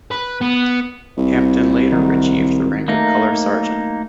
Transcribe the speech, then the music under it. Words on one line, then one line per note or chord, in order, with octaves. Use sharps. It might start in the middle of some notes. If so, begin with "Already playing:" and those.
Hampton later achieved the rank of colour sergeant.
B4
B3
C2
D#3 F#3
A3 A#3 D#4